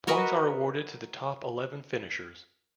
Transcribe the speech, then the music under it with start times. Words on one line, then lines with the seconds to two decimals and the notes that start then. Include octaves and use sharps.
Points are awarded to the top eleven finishers.
0.07 F#4 A#4 B4 D#5